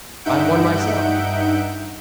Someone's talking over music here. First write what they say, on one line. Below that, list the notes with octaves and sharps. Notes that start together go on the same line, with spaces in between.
"I'm one myself."
G2 D#4 E5 F#5 G6 D7